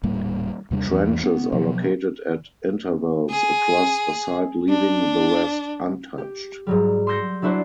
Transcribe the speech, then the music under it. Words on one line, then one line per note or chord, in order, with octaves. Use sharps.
Trenches are located at intervals across a site leaving the rest untouched.
D#1 A2 G3 A#3
D#2 C3 G3 D4
E2 G2 E3 B3
B3
B2 F3 F#3 B3
G#4
D4
G4
G#2 F#3 G3
C6 D6 E6 G6 A#6 C#7
F#3 D4 E4 F#4 C5 D5